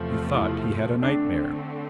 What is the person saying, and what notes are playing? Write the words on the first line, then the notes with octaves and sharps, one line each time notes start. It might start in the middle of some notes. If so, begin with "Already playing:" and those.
He thought he had a nightmare.
Already playing: E2 C3 F3 A3
E4
D3 A3 C4 D4